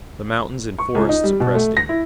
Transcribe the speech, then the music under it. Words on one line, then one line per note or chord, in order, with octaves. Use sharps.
The mountains and forests oppressed him.
C#6
C#2
D#4
G3
B2
A3
A#6
E4